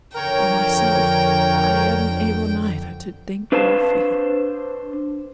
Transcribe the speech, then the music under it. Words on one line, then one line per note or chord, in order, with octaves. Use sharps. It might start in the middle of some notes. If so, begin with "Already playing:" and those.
For myself, I am able neither to think or feel.
F2 D3 A#4 C#5 G5
D4 B4 C5 F5 A5